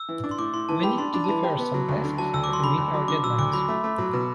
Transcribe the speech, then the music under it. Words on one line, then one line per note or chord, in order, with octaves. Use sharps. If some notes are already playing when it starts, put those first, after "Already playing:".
We need to defer some tasks to meet our deadlines.
Already playing: E6
E3
D4
C6
A2 D6
A2 C6
E3 A5
G4 B5
D4 C6
D4 B5
A5
E3 B5
G4
B3
F#3
D2
D3
F#3 A5
D2 E6
D6
F#3 C6
D3 B5
D2
F#3
D3 D6
F#3 E6
D2 D6
F#3 B5
A3
A3
F#3
B2